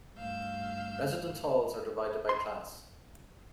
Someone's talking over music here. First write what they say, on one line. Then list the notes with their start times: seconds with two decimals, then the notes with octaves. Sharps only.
Residence halls are divided by class.
0.16 G2 A3 F5 E6 G6
2.29 C6